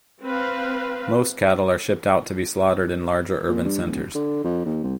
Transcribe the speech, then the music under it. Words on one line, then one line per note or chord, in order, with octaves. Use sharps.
Most cattle are shipped out to be slaughtered in larger urban centers.
C4 B4 F5
A#2
G2
D1
D3
F2
D#2
C2